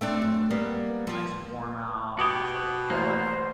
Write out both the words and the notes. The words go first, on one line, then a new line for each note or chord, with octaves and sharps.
it's nice and warm out, and I was like, "you know what,
A3 C4 D4
F#2
G3 A#3 B3
F3
B2 F#4 G4 D6 D#6 G#6
A1 A#3 C5